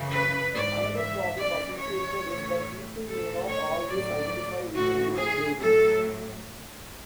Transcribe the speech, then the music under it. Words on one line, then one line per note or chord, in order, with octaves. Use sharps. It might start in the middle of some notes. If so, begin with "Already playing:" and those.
Another problem associated is that people may not always identify with the given labels.
Already playing: F#2 C#3 E3
B4
G#2 E3 D5
E5
F#2 E3 D5
C#5
A2 E3
A2 E3 A4
C#5
A2 F#3 D5
A2 E3 F#4
G#4
A2 F#3 A4